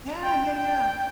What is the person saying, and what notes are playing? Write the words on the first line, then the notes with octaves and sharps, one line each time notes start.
yeah, yeah, yeah,
G5
G5